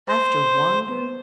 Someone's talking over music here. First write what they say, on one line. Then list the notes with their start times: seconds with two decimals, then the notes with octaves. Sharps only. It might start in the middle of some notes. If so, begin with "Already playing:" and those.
After Wander?
0.09 C5